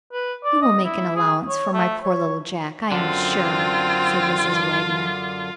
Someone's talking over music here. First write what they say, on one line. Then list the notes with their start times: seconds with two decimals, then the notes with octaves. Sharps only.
"You will make allowances for my poor little Jack, I am sure," said Mrs. Wagner.
0.13 B4
0.44 D5
0.62 D#5
0.84 E4
1.15 G#4
1.48 C#5
1.73 A3
2.03 C#5
2.92 F#2 D3 C4 F4